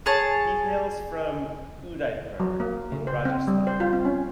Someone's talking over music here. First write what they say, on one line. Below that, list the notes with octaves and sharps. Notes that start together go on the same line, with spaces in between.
He hails from Udaipur in Rajasthan.
G#4 C#5 A5
F#3
A#3
C#3
C5
C4
G3
C5
F4
C4
C#4